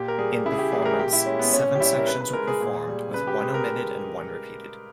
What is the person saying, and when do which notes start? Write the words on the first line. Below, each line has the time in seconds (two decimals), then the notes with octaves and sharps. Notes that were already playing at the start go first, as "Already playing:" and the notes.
In performance, seven sections were performed, with one omitted and one repeated.
Already playing: A#2 G4
0.08 A#4
0.18 G3 G#4
0.46 C#3 E4
0.52 G#4
0.58 G4
0.72 E3 G3 G#4
0.82 G#4
0.85 A#4
0.99 A#2 G4
1.13 E4
1.26 G#3 C#4
1.39 B3
1.53 A#2 C#4
1.75 G4
1.79 G3 E4
1.99 A#4
2.06 C#3 B4
2.21 B4
2.33 G#3 A#4
2.47 G#4
2.61 A#2
2.88 G3
3.14 C#3 B4
3.27 G4
3.41 G#3 G#4
3.54 A#4